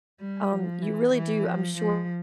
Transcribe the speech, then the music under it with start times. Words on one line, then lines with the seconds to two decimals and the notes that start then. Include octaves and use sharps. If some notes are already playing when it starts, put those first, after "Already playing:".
um, you really do, I'm sure,
0.21 G3
0.52 F3
0.83 E3
1.14 E3
1.45 F3
1.77 F3